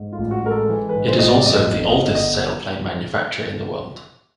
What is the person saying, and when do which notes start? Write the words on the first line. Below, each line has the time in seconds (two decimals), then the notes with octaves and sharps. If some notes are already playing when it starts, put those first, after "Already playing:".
It is also the oldest sailplane manufacturer in the world.
Already playing: G#2
0.13 F4
0.18 A1
0.31 F#4
0.44 G#3 A#4
0.50 A4
0.69 E3
0.89 B4
0.95 G#2
1.08 C5
1.19 A1 D#5
1.28 D5
1.46 F2 D#5
1.72 G1
1.85 D#5
1.98 G1
2.15 D#5